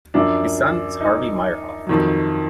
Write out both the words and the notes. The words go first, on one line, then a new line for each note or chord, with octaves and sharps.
His son is Harvey Meyerhoff.
F#2 F3 D4
D#4
F2 D#3 F#3